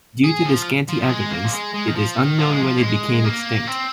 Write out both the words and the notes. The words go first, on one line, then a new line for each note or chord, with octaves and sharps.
Due to the scanty evidence it is unknown when it became extinct.
G#4
F3
F3
F3
G#3
A#3
F3
G#3
G#3
D#3
F3
D#3
F3
G#3
F3
A#3
G#3
A#3
C4